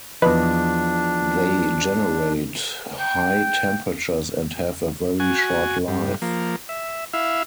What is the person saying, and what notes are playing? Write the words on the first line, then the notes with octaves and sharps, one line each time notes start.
They generate high temperatures and have a very short life.
E2 F3 D4 B4 D#5
G5
F#4 G#5
G2
F3 A#3
E5
E4 E5 F5